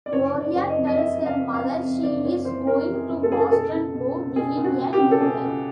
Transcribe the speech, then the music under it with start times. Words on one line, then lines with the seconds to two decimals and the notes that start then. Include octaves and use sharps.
Gloria tells her mother she is going to Boston to begin a new life.
0.06 D5
0.13 F#1 C#5
0.34 F#1
0.40 D5
0.55 F#1
0.69 D#5
0.76 F2
0.87 D#5
0.97 F2 E5
1.18 C#3
1.26 F5
1.40 F2
1.54 F5
1.61 C#3
1.83 F2
2.03 F#1 D5
2.24 F#1 C#5
2.45 E3 C5
2.67 C#3 A#4
2.88 E3
2.95 G#4
3.09 F#1
3.23 A4
3.30 F#1 G#4
3.40 A4
3.52 B2 A4
3.73 C#2
3.94 B2
4.15 C#2
4.36 B2 G#4
4.57 C#2
4.64 F#4
4.78 B2
4.93 G4
5.00 C#2
5.11 A4
5.21 B2 G#4
5.42 C#2